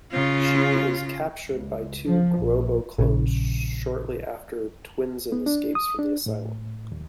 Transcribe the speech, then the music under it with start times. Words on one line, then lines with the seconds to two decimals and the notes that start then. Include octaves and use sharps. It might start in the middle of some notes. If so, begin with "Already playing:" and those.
She is captured by two Grobo clones shortly after Twinsen escapes from the asylum.
0.12 C#3 F4
1.49 C#2
2.08 F3
2.39 A#1
2.99 A#1 C#3
5.32 B3
5.46 D4
5.75 D#6
5.99 D4
6.26 A2
6.92 D#2